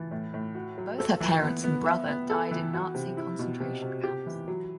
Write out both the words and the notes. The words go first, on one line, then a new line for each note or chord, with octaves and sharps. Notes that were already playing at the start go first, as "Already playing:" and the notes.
Both her parents and brother died in Nazi concentration camps.
Already playing: E3
A2
A2
F#4
F#3
A4
E3
B3
B3
E5
B3
A4
E3
F#4
C3
E4
B2
C3
C3
G4
E3
F#3